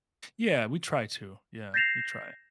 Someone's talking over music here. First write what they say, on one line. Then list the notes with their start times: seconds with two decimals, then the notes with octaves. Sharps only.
Yeah, we try to. Yeah, we try.
1.74 G6 A6 A#6 C7 E7 F7